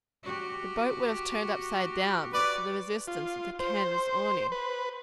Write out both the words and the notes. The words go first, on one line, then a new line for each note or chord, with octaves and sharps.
The boat would have turned upside down but for the resistance of the canvas awning.
F#4 G4
B4 D5
F4
C5
B4